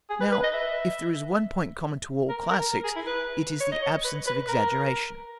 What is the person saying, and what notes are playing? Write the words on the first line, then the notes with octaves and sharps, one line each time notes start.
Now, if there is one point common to all classics, it is the absence of exaggeration.
G#4
B4
B4
D#5
E5
A#4
A#4
A#4
G#4
E4
B4
C#5
D#5
C#5
B4
B4
A#4